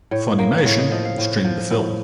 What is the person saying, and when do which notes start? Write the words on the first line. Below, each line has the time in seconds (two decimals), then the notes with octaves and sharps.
Funimation streamed the film.
0.11 A2 C#5
0.39 A#3
0.65 A2 C#5
0.78 D#5
0.91 F3 D#5
1.05 F5
1.18 A2
1.44 F3
1.70 A2